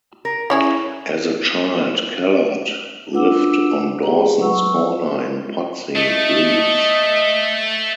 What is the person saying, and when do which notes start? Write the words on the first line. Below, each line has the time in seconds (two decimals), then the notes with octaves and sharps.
As a child Callard lived on Dawsons Corner in Pudsey, Leeds.
0.25 A#4
0.50 C#4 E4 G#4 C#5
3.13 D4 F4 B4 F#5 D6 E6
4.02 G4 G#4 A#5
4.39 F#3 B4 F#5 C#6 E6
5.96 A3 D#5